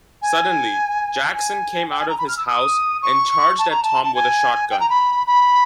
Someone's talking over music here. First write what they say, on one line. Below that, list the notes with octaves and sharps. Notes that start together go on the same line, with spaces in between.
Suddenly, Jackson came out of his house and charged at Tom with a shotgun.
G#5
G#5
G5
G#5
A#5
B5
F6
E6
D#6
C#6
A5
A#5
A5
A5
G#5
G5
A#5
B5
B5